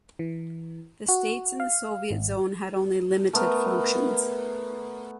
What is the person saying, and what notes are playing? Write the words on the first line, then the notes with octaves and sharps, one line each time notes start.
The states in the Soviet zone had only limited functions.
E3
F#4
F5
G#1
A3 B3 A#4